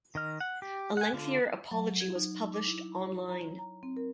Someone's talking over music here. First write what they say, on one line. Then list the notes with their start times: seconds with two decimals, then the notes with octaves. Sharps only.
A lengthier apology was published online.
0.15 D#3 D#5 F6
0.41 F#5
0.62 G4
0.97 F#5 G#5
1.13 D3 F4
1.71 F#3
2.01 G#6
2.15 D#4
2.54 D6
2.67 E4
2.96 C#5
3.29 A#5
3.59 A#5
3.83 C4
3.97 A#4